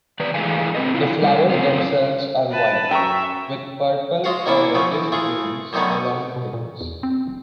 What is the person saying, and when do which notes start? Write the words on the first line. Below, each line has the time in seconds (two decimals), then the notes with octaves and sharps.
The flowers themselves are white, with purple or reddish veins along the tepals.
0.20 D#3 B4 D5
0.34 E3 G#3 A3 F5 G#5
0.75 C4 B4 D#5
0.93 C3 E4 F4
1.22 G3 A4
1.49 F#2 C3 F4
2.51 B4 A5
2.91 F#2 E5 G5 A#5 C#6
4.24 G#3 F4 F#4 F5 F#5
4.46 E3 A#3 B3 C#4 D4 E4
4.75 C#3 F3 A3 B3 C#4
4.92 E3
5.12 E3 A3 F4 G#4
5.73 F#2 D3 D#3 A3 B3 C#4
6.36 B2
6.53 A#2
6.81 E2
7.03 C4
7.28 D#1